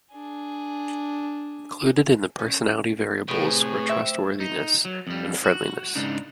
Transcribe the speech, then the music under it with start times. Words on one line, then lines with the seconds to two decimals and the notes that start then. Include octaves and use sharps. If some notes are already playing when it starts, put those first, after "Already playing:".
Included in the personality variables were trustworthiness and friendliness.
0.12 D4 G#4
2.39 C#4
3.28 A2 C3 G#4 B4
3.89 C4 E5
4.40 D#4
4.85 F#3
5.07 F2 G3
5.44 F#4
5.95 G#2 C#3 D4 D#4